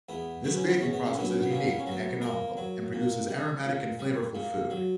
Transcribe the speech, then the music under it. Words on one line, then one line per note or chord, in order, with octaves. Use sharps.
This baking process is unique and economical and produces aromatic and flavorful food.
E2 B3
D3 F#3 B3
C#4
B3
E2 C#4
B3
C#4
D3 F#3 B3
C#4
B3
A#2 C#4
B3
C#4
F#3 B3
A#2 A#4
F#3
A#2
G3
A#2
G3
A#2
F#3